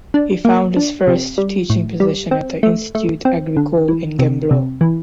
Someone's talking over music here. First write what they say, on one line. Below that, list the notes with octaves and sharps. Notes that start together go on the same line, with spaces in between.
He found his first teaching position at the Institute Agricole in Gembloux.
D4
A#3
D4
C3
G3
A2
G3
C4
A3
A3
C4
D3
E3
C3
C3
E3